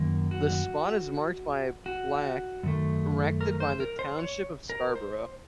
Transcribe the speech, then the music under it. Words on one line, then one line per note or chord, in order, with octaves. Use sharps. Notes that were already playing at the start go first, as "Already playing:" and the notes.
The spot is marked by a plaque erected by the Township of Scarborough.
Already playing: F#2 D#3 A#3
F#4
F#4
F#2 D#3 A3
A#4
C5
A#4
C5
C#5
A#4
C5